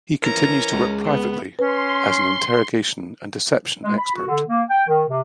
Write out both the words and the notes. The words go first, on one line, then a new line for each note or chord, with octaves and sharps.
He continues to work privately as an interrogation and deception expert.
E3 C#4 A#4 A#5
C#2
B3
C#4 B4 C6
G#3
B5
F#4
D3
A#3
G5
D#3
C3